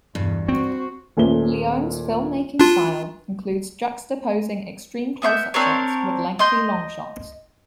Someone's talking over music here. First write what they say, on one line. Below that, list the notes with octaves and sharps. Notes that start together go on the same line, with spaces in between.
Leone's film-making style includes juxtaposing extreme close-up shots with lengthy long shots.
E2 G2 B2
C4 F#4 C5
D#1 A#2 A3 C#4 B4 G7
D4 F4
B3 E5 C6 G6
C4 D4 A#4 C#5
D#5 C6 G6